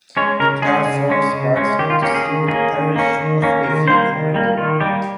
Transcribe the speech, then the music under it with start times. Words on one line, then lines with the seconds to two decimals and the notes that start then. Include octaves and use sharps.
It now forms part of the civil parish of Evie and Rendall.
0.17 G#3 C#4 C#5
0.40 C#3 A#4
0.62 G#3 C#4 G#4
0.86 C#3
1.10 G#3 C#4
1.33 C#3
1.56 G#3 C#4
1.79 D#3 G4
1.90 F4
2.02 A#3 C#4 G4
2.14 G#4
2.25 D#3 G#4
2.48 A#3 C#4 G#4
2.72 D#3
2.96 A#3 C#4
3.19 D#3
3.42 A#3 C#4
3.64 D#3 A#4
3.88 G3 A#3 C5
4.11 D#3
4.34 G3 A#3
4.58 D#3 F4
4.80 G3 A#3 G4